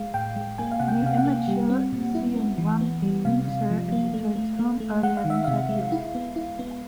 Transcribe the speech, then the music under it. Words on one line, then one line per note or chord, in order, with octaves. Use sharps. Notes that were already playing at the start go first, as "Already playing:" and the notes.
The immature Seung-wan leaves her, and returns home earlier than scheduled.
Already playing: G#3 F5
A2 G5
G#3
A#3 G#5
F5
C3 F#5
G5
C3 F5
F#5
A#3
G3
C4
A#2
E4
B3
E3
B3
G3
C3 F5
C3
F3
A#3
A3
A3
A3
A3
G#3 F#5
F5
D#3
E5
C3 F5
G#3
E4
B3
E4
B3